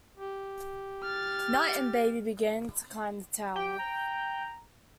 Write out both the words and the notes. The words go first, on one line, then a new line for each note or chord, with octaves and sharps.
Knight and Baby begin to climb the tower.
G4
F6 A6
G4 G5
A#5